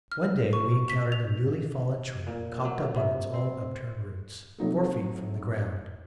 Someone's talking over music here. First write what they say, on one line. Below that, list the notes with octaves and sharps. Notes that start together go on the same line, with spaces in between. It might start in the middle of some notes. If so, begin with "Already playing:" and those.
One day we encountered a newly fallen tree, cocked up on its own upturned roots, four feet from the ground.
F6
C#6
B6
F7
A#2
F#3
C3
C4
C3 F#3 D#4 A4